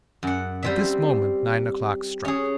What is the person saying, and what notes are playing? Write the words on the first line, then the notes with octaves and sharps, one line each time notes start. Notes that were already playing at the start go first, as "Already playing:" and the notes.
At this moment nine o'clock struck.
F#2 F#5
G3 C4 E5
C#4 G#4